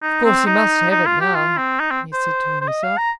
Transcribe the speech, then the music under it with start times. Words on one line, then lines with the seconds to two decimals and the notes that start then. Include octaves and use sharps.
"Of course he must have it now," he said to himself.
0.02 D#4
0.25 C4
0.47 D#4
0.91 D#4
1.06 F4
1.21 G4
1.35 F4
1.57 C4
1.80 D#4
1.91 C4
2.13 C5
2.61 C5
2.68 D#5
2.83 F5
2.98 A#5